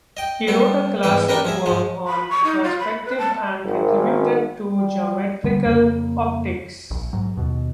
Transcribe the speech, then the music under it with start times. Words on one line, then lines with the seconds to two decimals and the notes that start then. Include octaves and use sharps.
He wrote a classic work on perspective and contributed to geometrical optics.
0.17 D#5 G5
0.47 G3 B3 A4
1.03 E2 G#2 E3 B4 G5
1.28 D4 D#4 G4 A#4 B4 D#5
1.45 F3 G#4 E5
1.66 G#2 F3 G#3
2.07 B5
2.30 C#6
2.44 D#4
2.63 F4
2.79 B5
3.05 B4
3.18 A5
3.65 G#1
4.73 G3
5.44 D3 G3
5.66 F2 C#3 A#3
6.91 A#1
7.13 G#2 F#3
7.37 D#2 B2